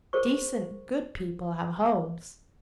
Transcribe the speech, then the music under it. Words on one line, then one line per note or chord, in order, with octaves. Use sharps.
Decent, good people have homes.
G#4 A#4 C5 C#6